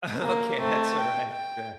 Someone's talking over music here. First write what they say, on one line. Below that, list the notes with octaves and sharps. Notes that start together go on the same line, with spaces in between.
Okay, that's alright. Yeah.
A#3
A3 C4
G5
G5